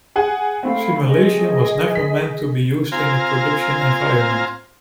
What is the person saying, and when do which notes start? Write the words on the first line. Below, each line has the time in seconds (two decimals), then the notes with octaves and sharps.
Simulation was never meant to be used in a production environment.
0.16 G#4 F#5 G#5
0.63 A3 C4 F5 B5
1.08 G#4 D#5
1.95 B6
2.92 C4 F4 C5 F5 G#5 A#5